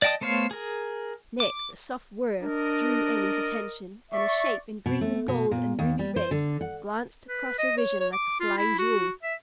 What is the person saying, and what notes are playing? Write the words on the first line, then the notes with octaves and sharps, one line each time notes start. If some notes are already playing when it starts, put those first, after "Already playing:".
Next a soft whir drew Elly's attention, and a shape in green and gold and ruby-red glanced across her vision like a flying jewel.
D5 D#5 G5 A5 D#6
A3 B3 C5 C#5 F5
G#4 A#4
D6
D4 A#4 D5 D#5
D5 E5 C#6
B2
A3
B2
A#2
D#2
G3
C5
D3
F#5
B4
D#5
C#5
C#5
D6
F4
E4
F#4
E5